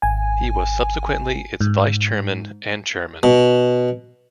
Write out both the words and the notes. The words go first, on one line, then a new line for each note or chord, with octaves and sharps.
He was subsequently its Vice-Chairman and Chairman.
G#1 G#5
G#2
B2